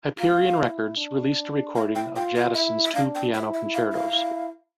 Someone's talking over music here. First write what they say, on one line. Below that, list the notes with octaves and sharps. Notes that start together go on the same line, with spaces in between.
Hyperion Records released a recording of Jadassohn's two piano concertos.
F4 F5
E4
D4
E4 F5
G5
F4 G5
F5
E4 E5
E5
D4 F5
G5
E4 E5
E5
F5
F5
E4